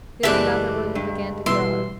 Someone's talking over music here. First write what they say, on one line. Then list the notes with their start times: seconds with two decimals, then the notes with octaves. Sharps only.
Then another rumor began to grow.
0.23 F#1 E3 G#3 A3 G4 D5 E5 F#6
0.95 G2
1.46 B2 E3 G3 E5 C6